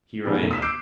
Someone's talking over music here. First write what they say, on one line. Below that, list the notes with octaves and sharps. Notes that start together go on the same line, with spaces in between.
Here I am.
G#2 C#3 F3 G#3 B3 G4
B2 D#3 A3 D#4
D#6 B6 E7
D6 E6 F#6 G6 C7 D7